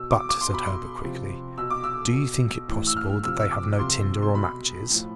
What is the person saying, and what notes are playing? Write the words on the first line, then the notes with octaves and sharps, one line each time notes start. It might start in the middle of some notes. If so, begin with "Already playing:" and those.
"But," said Herbert quickly, "do you think it possible that they have no tinder or matches?"
Already playing: B2 E6
D6
D6
C6
B2
B5
C6
C3 F3
B2 E6
D6
E6
B2
A2 E3
E6
F6
C3 F3 E6
E6
D6
C3 F3 C6
C6
B2 B5
A2 F3